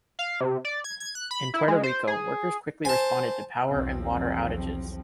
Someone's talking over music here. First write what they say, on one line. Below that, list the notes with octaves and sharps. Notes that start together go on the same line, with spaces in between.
In Puerto Rico, workers quickly responded to power and water outages.
F5
C3
D5
G#6
G#6
F#6
B5
E4
G#3
C5
G#4
C5 G#5 A5
B1 E2 F3 C4